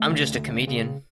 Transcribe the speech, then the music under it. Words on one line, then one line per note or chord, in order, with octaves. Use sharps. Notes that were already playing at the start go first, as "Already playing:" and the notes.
I'm just a comedian.
Already playing: A3
C#3
D2
C#3
C#3